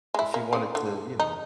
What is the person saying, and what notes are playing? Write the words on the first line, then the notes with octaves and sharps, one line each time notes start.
if you wanted to, you know
G#3 E4
A#3
C#3 C4 F5
D3
D#4